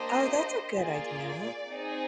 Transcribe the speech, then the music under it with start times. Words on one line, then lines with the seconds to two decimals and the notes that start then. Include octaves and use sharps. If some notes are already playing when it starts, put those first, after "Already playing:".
Oh, that's a good idea.
Already playing: A#3 D4 G4 C5 D#5
0.72 A#3 F4 G#4 D5
1.67 C4 D#4 G#4